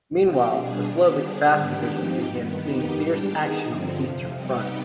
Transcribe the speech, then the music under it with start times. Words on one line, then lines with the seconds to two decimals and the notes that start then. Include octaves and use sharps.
Meanwhile, the Slovak Fast Division began seeing fierce action on the Eastern Front.
0.19 F3 C4 G4
0.53 B2 G3 D4 G#4
0.88 D#3 B3 D4 G4
1.22 D3 G3 D4 G#4
1.56 G#2 D#3 B3 D4 G4
1.91 G#2 F3 C4 D#4 G4
2.25 G2 D#3 B3
2.60 F2 D#3 B3 D#4 G4
2.95 G#2 G3 D4 G4
3.30 D#3 B3 D#4 G#4
3.64 G2 D3 F3 C4
3.99 F2 C3 F3
4.33 C3 G3 B3 D#4 G4